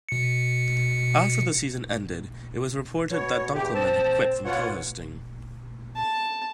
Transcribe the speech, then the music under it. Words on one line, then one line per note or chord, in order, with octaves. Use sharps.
After the season ended, it was reported that Dunkleman had quit from co-hosting.
B2 C#7
B2 C#5
E2 G4
C4 A5
B2 F4 C#5 F#5
A5